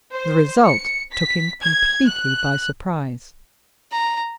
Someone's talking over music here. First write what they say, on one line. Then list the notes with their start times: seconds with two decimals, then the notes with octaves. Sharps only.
The result took him completely by surprise.
0.11 C5
0.64 C#7
1.13 B6
1.61 G#6
2.06 F#6
3.92 A#5